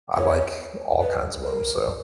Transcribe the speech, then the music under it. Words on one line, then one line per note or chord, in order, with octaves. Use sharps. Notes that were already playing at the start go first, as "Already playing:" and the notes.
I like all kinds of 'em, so,
C#5
B4
A#4